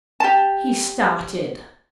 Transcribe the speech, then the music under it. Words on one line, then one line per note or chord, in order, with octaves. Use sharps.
He started.
G4 A5